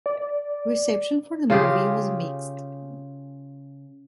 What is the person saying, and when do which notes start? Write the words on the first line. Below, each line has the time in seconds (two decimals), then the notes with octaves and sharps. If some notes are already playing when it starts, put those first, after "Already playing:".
Reception for the movie was mixed.
0.06 D5
1.50 C#3 F4 G4 G#4